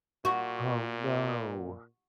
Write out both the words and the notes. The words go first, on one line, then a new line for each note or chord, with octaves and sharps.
Oh, no.
A#2 F#4